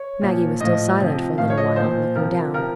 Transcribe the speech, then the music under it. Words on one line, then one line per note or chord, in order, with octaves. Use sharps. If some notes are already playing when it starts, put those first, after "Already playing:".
Maggie was still silent for a little while, looking down.
Already playing: C#5
A#2 F3
A2 F3 D#5
C3 F3
A2 F3 F5
C#5
D#5
A#2 F3 C5
C3 F3 A#4
C3 F3 A#4